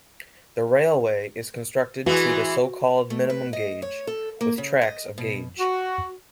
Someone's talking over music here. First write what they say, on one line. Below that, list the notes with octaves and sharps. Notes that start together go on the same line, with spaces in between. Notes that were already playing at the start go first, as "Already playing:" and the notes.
The railway is constructed to the so-called minimum gauge, with tracks of gauge.
E3 G#3 F#4
A3
B4
D#5
C#5
A4
A#3
C#3
D#5
B2
F#4